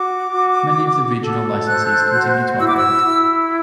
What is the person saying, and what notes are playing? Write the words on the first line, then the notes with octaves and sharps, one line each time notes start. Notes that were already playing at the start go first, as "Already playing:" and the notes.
Many of the regional licensees continue to operate.
Already playing: F#4 D6
F#4
F#4
A4
C5 F#6
F#4
E4 E6
D6
E6
E4